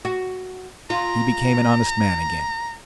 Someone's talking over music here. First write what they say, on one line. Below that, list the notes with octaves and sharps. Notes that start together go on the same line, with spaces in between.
"He became an honest man again!"
F#4
F4 A#5